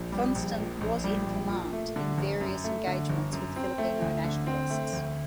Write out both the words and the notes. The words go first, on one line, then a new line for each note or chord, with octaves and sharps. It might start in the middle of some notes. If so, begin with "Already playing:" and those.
Funston was in command in various engagements with Filipino nationalists.
Already playing: A#1
G3
A#1
A#2
A#1
G3
A#1
A#2
A3
D3
G1
F#2
A3
D3
G1
F#2
C4
A3
D2
D3
C4
A3
D2